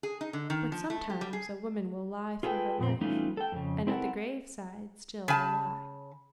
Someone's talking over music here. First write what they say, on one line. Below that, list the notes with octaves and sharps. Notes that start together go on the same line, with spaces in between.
But sometimes a woman will lie through her life, and at the graveside still will lie....
G#4
D#4
D3
D#3
F3
A3
G4
G3
G#4
F4 G#4 A4 B4 G5
F2 A#2 C4
E3 G3 A3 C#4 D#4 F4
A4 G5
F2 C#3
C4 E4 A4 A#4 F#5
C#3 G#5 A5